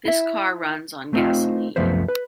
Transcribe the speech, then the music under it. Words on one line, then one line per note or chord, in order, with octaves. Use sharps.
This car runs on gasoline.
E4 E5
A3 A#3 C4 D#4 F4 G5
C2 F#2 F3 A3 B3 C5
B4